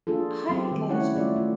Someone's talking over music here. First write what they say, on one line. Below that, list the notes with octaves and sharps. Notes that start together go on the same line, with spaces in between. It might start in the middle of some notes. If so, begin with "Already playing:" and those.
I got you.
A#3 D4 F4 G#4 A4
F#3 B3 C4 G4
D#3 G3 C4
A3 C#4 E4 C#5 F#5
A3 F4 D5 E5
A3 F4